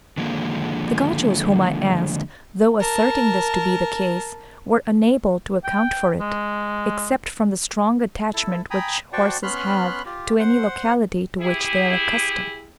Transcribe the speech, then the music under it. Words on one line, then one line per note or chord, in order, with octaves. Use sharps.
The Gauchos whom I asked, though asserting this to be the case, were unable to account for it, except from the strong attachment which horses have to any locality to which they are accustomed.
D3 D#3 F3 G#3 A#3
A#4 A5
G5
G#3
E4 A4
G5 G#5 A#5 B5 D#6
F#4 C5 D5 G5 A5 C#6
B3 C#4 B5 C6 F6 F#6
F4 G4
C5 F#5
E4 G4 G#4